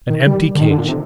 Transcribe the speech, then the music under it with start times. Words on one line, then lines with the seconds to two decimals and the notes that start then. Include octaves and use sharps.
An empty cage!
0.10 D#3
0.27 G3
0.55 D3
0.61 D#3
0.70 D3
0.78 A#2
0.88 C3